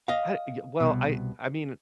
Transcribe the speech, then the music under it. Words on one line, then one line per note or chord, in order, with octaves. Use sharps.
I y well, I I mean,
D#5 F5
C2 B2